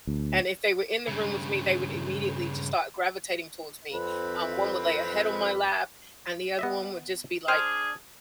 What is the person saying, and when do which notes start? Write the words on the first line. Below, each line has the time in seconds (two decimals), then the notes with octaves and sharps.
And if they were in the room with me, they would immediately just start gravitating towards me. Um, one would lay a head on my lap, and the other one would just be, like,
0.07 D2
1.08 G2 C#3
3.93 F2 C4 B4 B5
6.59 B3 D#5 E5
7.48 D4 G#4 C5 F6